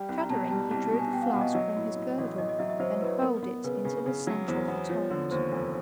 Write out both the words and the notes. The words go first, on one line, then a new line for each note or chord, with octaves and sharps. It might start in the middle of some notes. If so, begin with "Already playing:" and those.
Shuddering he drew the flask from his girdle and hurled it into the center of the torrent.
Already playing: G3 G5
C2
A#5
B2 A5
G3 A5
C2 A5
A5
B2
G#5
B2 G5
F5
F#5
B2
D#5
F#3 D#5
A2
A2
A1
A1 D#5
D#5
F#3 E5
E5
F#3 C5
A2 B4
B3 A#4
B3
C#3 B4
C#3
C#3
F#3
E2 C5
B3
F3 C#5
D3
D#2 C5
F1